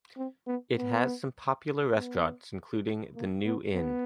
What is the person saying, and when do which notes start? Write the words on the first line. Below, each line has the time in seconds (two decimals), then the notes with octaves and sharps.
It has some popular restaurants including The New Inn.
0.17 C4
0.47 B3
0.78 B3
1.97 B3
3.15 A#3
3.45 B3
3.75 B3